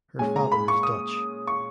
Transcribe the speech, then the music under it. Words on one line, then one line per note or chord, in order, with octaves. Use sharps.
Her father is Dutch.
A#2 G#3 C#4 G#5
A#5
B5
C#6
D#6
C#6